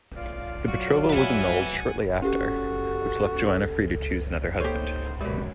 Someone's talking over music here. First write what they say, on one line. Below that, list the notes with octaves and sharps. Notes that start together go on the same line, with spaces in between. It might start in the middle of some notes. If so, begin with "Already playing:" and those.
The betrothal was annulled shortly after, which left Joanna free to choose another husband.
F4 D5 F5
F#3 F#4
B4 E5 F#5 G#5
C#4 F#4 G4 A4
A#3 D#4 G4 A4 C5 C#5
F#2 B2 G3 G#3